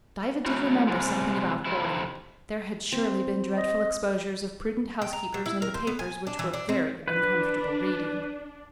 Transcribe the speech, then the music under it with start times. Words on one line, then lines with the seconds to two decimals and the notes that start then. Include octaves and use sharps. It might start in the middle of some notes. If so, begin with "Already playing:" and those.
Diva did remember something about hoarding; there had surely been dreadful exposures of prudent housekeepers in the papers which were very uncomfortable reading.
0.46 F#3 A3 C#4 D#4 E4 F#4
0.88 C3 G3 G#3
1.65 F2 C3 E4
2.92 C4
3.56 D#5
5.02 G5
5.13 A#5
5.34 F#3
5.46 E4
5.62 A#4
5.74 C5
5.87 B3
5.99 G#5
6.27 D4
6.39 E3
6.53 D4
6.69 C4
7.08 D4 B4